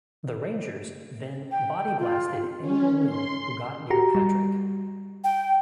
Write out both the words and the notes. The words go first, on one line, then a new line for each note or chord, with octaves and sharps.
The Rangers then body-blasted any Maroon who got near Patrick.
G5
F4
C#4
C6
F#4 G4 A#5
G3
G5